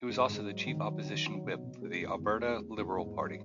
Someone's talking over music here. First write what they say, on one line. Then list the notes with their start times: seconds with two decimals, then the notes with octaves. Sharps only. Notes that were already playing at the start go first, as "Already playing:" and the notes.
He was also the chief opposition whip for the Alberta Liberal Party.
0.09 G#2
0.29 G#2
0.48 F#3
0.66 D#3
0.86 F#3
1.05 D#3
1.24 F#3
1.44 B2
1.63 B2
1.82 G#3
2.01 E2
2.20 E2
2.39 G#3
2.58 G#3
2.77 E2
2.97 G#2
3.16 F#3